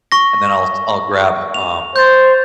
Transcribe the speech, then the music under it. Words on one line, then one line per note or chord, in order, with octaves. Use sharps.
and then I'll I'll grab, um,
C#6 A#6
F7
C5 G6 A6